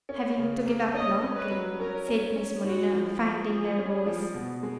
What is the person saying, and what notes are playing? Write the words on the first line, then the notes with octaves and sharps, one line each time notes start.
"Having to give up Lockleigh?" said Miss Molyneux, finding her voice.
C#4
C#3
A#3
C#4 D#5
C#4
B4
F#3
C#4 A#4
C#4
C#4
G#2 F#4
F3
F3
F3 G#4
C#4
F3
B2
G#3